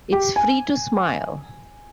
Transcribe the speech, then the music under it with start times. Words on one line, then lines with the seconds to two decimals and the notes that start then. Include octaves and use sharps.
It's free to smile.
0.13 G4
0.36 G#5